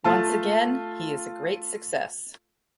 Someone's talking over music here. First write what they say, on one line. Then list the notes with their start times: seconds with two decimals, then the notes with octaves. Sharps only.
Once again, he is a great success.
0.04 A3 F4 A5